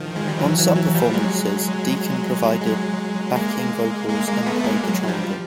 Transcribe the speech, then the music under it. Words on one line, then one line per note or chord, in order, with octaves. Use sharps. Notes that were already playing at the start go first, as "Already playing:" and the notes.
On some performances Deacon provided backing vocals and played the triangle.
Already playing: D#3 F3
G#3
G3
E3 F#3
E3 F#3
E3 F#3
F3 G3
F#3 G#3
F#3 G#3
G#3 A#3
G#3 A#3
G#3 A#3
A#3
A3 B3
A3
G#3 A#3
F#3 G#3
F#3
F3 G3